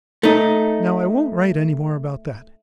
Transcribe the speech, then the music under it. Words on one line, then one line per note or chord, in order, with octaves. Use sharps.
Now I won't write any more about that.
A3 D#4